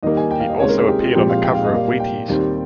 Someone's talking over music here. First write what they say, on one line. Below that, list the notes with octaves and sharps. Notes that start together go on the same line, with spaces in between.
He also appeared on the cover of Wheaties.
D#2 D#3 G3 A#3 D#5
G#5
G5
F5
D#5
D#2 C#3 G#3 C4 C#5
A#4
G#4
G4
F4
A#2 F3 G#3 C4 G4
F5
G5
F5
D#5
A#2 G3 A#3 F5
G5
D#2 D#3 G3 C4